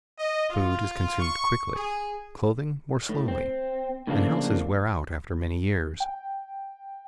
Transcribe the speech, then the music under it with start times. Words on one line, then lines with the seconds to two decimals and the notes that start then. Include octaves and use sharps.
Food is consumed quickly, clothing more slowly, and houses wear out after many years.
0.18 D#5
0.50 F4
1.20 C#6
1.75 G#4
3.09 A2
3.28 C4
4.07 A2 C#3 F3 A#3 D4
6.00 G5